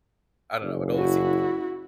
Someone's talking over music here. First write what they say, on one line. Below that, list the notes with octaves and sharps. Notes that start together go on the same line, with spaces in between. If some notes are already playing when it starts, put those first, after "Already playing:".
I don't know, it always seemed cool.
F#1
E4 F#4